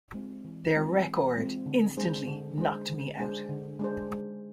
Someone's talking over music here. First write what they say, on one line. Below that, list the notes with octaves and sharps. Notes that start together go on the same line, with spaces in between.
Their record instantly knocked me out.
G#3 C4 F4
E3
G#3 C4 F4
E3
G#3 C4 F4
D3
G#3 D4 G#4 C5
D3
G#3 D4 G#4 C5
D3
G#3 D4 G#4 C5
D3
G#3 D4 G#4 C5
G#3